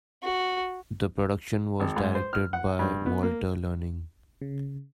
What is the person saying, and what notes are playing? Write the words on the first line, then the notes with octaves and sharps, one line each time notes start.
The production was directed by Walter Learning.
F#4
G#1
G#2
C5
F6
F#5
G2
B3
A#3
C#3